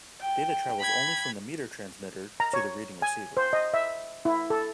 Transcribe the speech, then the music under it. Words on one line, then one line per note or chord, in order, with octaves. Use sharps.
Data travels only from the meter transmitter to the reading receiver.
G5
B5 G#6
A#5
C#5
G#5
C5
D#5
E5
E4
A4